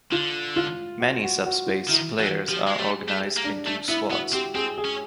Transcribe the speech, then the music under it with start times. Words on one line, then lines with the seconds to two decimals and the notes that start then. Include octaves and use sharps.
Many "SubSpace" players are organized into squads.
0.11 D3 F4
0.56 F4
1.00 F#4
1.23 F#4
1.46 F#4
1.67 F4
1.89 D#3 E4
2.19 E3 F#4
2.49 F3 G4
2.67 G#3
2.78 A3 G4
3.00 G#4
3.08 A3
3.22 G4
3.37 A#3
3.44 D4
3.66 A3 D4
3.88 B3 E4
4.11 B3 F#4
4.33 C4 G4
4.55 C4 G#4
4.78 G#4
4.85 C#4